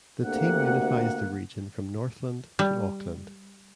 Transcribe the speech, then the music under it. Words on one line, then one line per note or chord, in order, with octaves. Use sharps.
The team unifies the region from Northland to Auckland.
D2 C3 A#3 F#5
G3